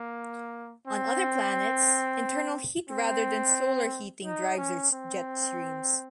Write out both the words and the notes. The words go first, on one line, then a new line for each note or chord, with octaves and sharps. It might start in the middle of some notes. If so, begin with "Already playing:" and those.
On other planets, internal heat rather than solar heating drives their jet streams.
Already playing: A#3
C4
C4
D#4
C#4
C4